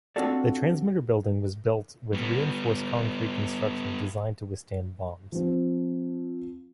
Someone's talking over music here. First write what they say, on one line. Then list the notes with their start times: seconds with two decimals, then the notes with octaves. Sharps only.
The transmitter building was built with reinforced concrete construction designed to withstand bombs.
0.16 C4 D4 F4 F#4 A4 D5
2.13 G3 B3
5.32 F3 C4